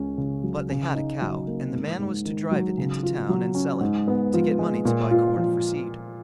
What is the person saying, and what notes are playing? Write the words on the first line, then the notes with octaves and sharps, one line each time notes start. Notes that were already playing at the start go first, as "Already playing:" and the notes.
But they had a cow, and the man was to drive it into town and sell it, to get money to buy corn for seed.
Already playing: C#2 C#4
C#3
F#3
C#3
D#4
F#3
A#3
G#2
G#2
D#3
F#3
C#3
F4
F#3
C#4
G#2
B3
F3
G#3
A#2
F4
F3